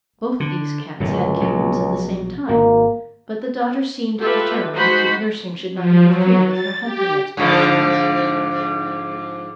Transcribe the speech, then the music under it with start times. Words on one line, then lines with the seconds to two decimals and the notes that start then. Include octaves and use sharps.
Both these cats had kittens at the same time, but the daughter seemed determined, that nursing should not interfere with her hunting expeditions.
0.40 D3
1.00 D1 C#2 F#2 A2
1.41 A#1 B2 F#3
2.49 G#1 A#3
4.19 F4 G4 A4 B4 E5
4.72 G#3 D#4 F#4 C5 F#5 B5
5.73 F3
6.04 F#3
6.47 A6
6.83 G4
7.37 G#2 D3 F3